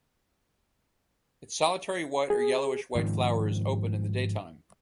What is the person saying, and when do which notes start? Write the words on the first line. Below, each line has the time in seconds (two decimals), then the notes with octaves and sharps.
Its solitary white or yellowish white flowers open in the daytime.
2.30 G#4
2.95 G#2 D#3 F3